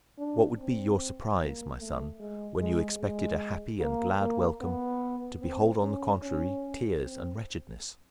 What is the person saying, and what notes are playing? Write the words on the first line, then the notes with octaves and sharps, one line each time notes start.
What would be your surprise, my son, when you expected a happy and glad welcome, to behold, on the contrary, tears and wretchedness?
D4
C4
A#3
A3
G#3
G#3
G#3
A#3
A#3
B3
C4
C#4
C#4
C4